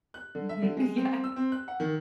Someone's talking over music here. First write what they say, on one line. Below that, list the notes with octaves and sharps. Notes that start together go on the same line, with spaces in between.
Mhm, yeah.
F#6
D3
E5
D3
G#3
C4
E6
C4
F#6
F#5
D#3